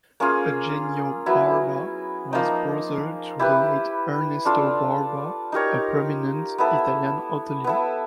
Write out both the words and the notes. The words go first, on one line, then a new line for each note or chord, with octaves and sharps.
Eugenio Barba was brother to the late Ernesto Barba, a prominent Italian hotelier.
A#3 C#4 F4 G#4
F#3 B3 E4
F3 A#3 D#4
E4 G4 B4
D4 F4 A4 D5
D#4 G4 A#4 C#5
B3 E4 A4
B3 E4 A4